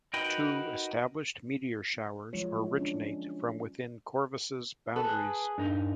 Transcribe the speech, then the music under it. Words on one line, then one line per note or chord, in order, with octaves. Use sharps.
Two established meteor showers originate from within Corvus' boundaries.
D#4 F#4 A#4 B4 G5
F3 F#3 G#3 F4 C#5
C#4 D4
G#4 A4 B4
G2 D4 D#4 A#4